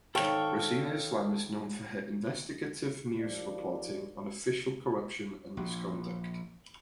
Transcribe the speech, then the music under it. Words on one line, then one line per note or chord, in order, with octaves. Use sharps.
Rozina Islam is known for her investigative news reporting on official corruption and misconduct.
G#1 A4 C#5 F5 G5 C#6 E7
D#2 F3 D5
A#1